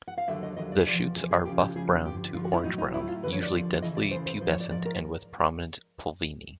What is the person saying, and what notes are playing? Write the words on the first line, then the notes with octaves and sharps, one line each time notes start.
The shoots are buff-brown to orange-brown, usually densely pubescent, and with prominent pulvini.
F#5
F5
D#2 D3 F#3 E5
D#5
D#2 D3 F#3 D#5
D5
E2 C3 F3 D5
E2 C3 F3 G#4
G#4
D2 C#3 F3 G4
G4
D2 C#3 F3 G#4
G2 D3 F3 G4
G2 D3 F3 F4
F#4
E4
A2 F#3 D#4
D#4
A2 F#3 E4
F4
D#2 D3 F3 B4
C#5
D5
D#2 D3 F3
D2 C#3 E3 D#5
D5
D2 C#3 E3 C5
C5
G#2 F3 C5
C#5
D5
G#2 F3 D5
A#4